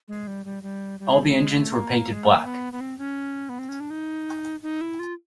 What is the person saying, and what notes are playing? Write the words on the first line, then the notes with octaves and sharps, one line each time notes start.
All the engines where painted black.
G#3
G3
G3
G3
G3
G#3
G3
A3
G#3
A3
A#3
G#3
A3
A#3
B3
B3
C4
C#4
B3
C4
C#4
D4
D#4
D#4
E4
F4